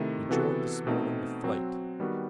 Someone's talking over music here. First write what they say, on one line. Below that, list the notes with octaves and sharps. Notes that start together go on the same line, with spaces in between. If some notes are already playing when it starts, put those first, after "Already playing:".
We joined, this morning, the fleet.
Already playing: C3 D#3 A3 E4
C3 E3 B3 F#4 A4
B2 A3 C4 D#4
F#3 C4 F#4
D#3 G3 B3 F#4